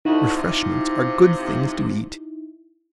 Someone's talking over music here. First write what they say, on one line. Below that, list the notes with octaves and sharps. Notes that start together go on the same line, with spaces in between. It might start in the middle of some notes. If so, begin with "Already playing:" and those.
"Refreshments are good things to eat!"
D2 D#4 E4 F#4
C3 F3